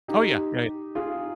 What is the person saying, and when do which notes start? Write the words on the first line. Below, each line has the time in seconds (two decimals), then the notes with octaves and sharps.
Oh, yeah, yeah.
0.08 D#4 G4
0.95 F4 G#4